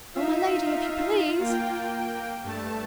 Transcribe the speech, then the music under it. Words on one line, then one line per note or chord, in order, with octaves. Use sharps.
"Oh, my lady! if you please!"
D#4 F4 E5
A#3 G5
G2 A3 A5